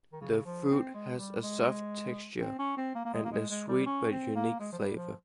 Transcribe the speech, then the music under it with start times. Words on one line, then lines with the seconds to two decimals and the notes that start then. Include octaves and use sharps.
The fruit has a soft texture and a sweet but unique flavor.
0.13 D#3
0.21 C#3
0.46 F3
0.71 C4
0.94 G#3
1.18 G3
1.43 G#3
2.40 C4
2.59 C#4
2.77 C4
2.95 A#3
3.05 A#3
3.13 G#3
3.25 A#3
3.31 G#3
3.50 G#3
3.68 G3
3.86 C#4
4.11 C4
4.35 A#3
4.60 G#3
4.73 F3
4.78 G3
4.96 F3